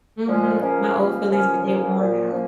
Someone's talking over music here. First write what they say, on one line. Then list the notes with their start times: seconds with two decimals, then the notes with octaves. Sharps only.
Mhm. My old fillings are getting worn down.
0.26 A#2 F3 G#3 C#4
0.60 C#2 C#3 F3 A#3 C#4
0.94 C#2 C#3 F3 A#3 C#4
1.28 C#2 C#3 F3 A#3 C#4
1.63 C#2 C#3 F3 A#3 C#4
1.97 A#2 F3 A#3 C#4
2.31 A#2 F3 A#3 C#4